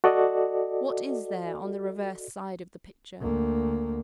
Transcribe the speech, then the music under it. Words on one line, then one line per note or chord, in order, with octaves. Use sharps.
What is there on the reverse side of the picture?
F#4 A4 D5 D#5
D2 A#3